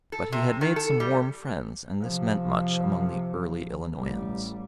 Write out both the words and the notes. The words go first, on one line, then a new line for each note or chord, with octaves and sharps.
But he had made some warm friends, and this meant much among the early Illinoisans.
A4
C3
D#3
A4
G3
C3 F3
A1 G3